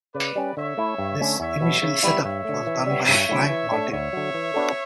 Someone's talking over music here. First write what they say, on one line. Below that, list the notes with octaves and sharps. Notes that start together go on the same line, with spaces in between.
This initial set up was done by Franck Martin.
C#3 B4 D5
G3 C#4
D3 C#5 E5
A3 E4
G2
D3 A3 C#4
E2 C#5 E5
B2 F#3
C#3
G3 B3 E4
G2 C#5 E5
D3 A3
E3
G3 B3
G2 C#5 E5
D3 F#3 A3 E4
E3
A3 D4 A4
D2 C#5 E5
D3 F#3
E3
B3 D4 F#4 A4